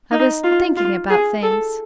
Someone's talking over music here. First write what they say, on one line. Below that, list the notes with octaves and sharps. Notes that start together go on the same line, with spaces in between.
I was thinking about things.
D#4
F4
F4
G#4
A4